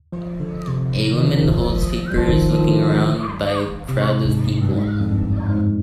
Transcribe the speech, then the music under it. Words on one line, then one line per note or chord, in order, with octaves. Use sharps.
A woman holds papers looking around by a crowd of people.
F3
D3
C3
D#3
F3
D#3
F3
G3
F3
D#3
F3
D#3
D3
C3
G#2
G2
G#2
F2
G2
G#2